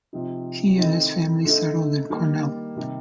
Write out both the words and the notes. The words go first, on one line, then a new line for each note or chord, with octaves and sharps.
He and his family settled in Cornell.
C3 F3 C4 D#4
D#3 A3 C4 D#4
D3 A3 D#4
D#3 G3 A#3
C3 D#3 G3